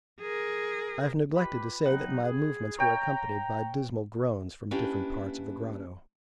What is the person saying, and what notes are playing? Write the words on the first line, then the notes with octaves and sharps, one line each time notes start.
I have neglected to say that my movements were accompanied by dismal groans from different parts of the grotto.
G#4 A#4
F4 G4 B4 B5
F#3 B3 D#4 F#5
G#4
C#5 G5 A#5
A#3 C#4 D4 E4 G4 B4